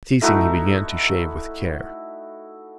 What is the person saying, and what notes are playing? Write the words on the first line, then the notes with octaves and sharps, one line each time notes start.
Ceasing, he began to shave with care.
A3 D#4 E4 F#4